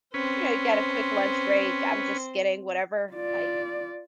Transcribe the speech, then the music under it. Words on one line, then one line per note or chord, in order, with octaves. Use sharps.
you know, you got a quick lunch break, I'm just getting whatever, like,
C4 C#4 B4 C5
F4 D5